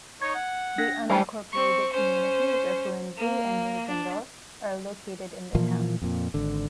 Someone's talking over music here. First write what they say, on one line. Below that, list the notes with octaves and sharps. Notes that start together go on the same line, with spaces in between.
The unincorporated communities of Lindsey and Nasonville are located in the town.
D#4 C#5 G#6
F#5
D4 F#6 A#6
E3 G3 C#4 C5 A5 C7
C4 C#6
C#4 C5
A#3
D4
A#2 E3 F3 A#3
F2 A#2
G#1 D3